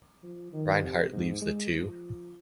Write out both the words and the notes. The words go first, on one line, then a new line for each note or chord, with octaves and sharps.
Reinhardt leaves the two.
F3
D#3
C3
G#2
G#3
F3